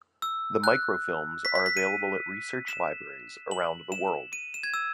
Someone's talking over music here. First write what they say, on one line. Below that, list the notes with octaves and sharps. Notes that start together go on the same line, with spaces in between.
The microfilms are available at research libraries around the world.
E6
F#6
B6
B6
B6
D#7
E7
F#7
E7
D#7
E7
G#6
E6